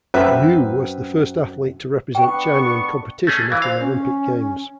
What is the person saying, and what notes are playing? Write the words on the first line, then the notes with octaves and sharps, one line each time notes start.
Liu was the first athlete to represent China in competition at an Olympic Games.
F#2 C4 B4 E5
B3 D4 G5 C#6
A3 C#4 G#4
E3 F#3 F5
C5 F5
C#4